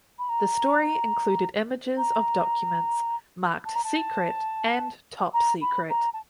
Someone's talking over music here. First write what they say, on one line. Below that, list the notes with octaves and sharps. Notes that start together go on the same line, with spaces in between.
The story included images of documents marked "secret" and "top secret".
B5
A#5
A#5
A5
A#5
A5
A#5
B5
A#5
A5